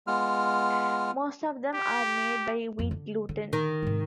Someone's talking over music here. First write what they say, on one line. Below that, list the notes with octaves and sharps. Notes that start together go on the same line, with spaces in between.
Most of them are made by wheat gluten.
G#3 B3 F4 F6
G4
F2 B3
D3
D3
D#3
G#2 C3